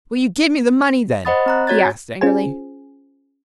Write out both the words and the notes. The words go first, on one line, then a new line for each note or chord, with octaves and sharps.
"Will you give me the money then?" he asked angrily.
C5 D#5 F#5 B5 D#6 A6
C4 A#5 F#6
F#4 C#5 G#6 A6
C#4 F4 G#4 C5 G#5